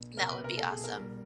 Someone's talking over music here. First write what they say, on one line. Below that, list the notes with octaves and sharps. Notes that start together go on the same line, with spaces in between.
That would be awesome.
C3 A#4
B4
C3
A#4
A3 A4
G#4
B2
A#4
G3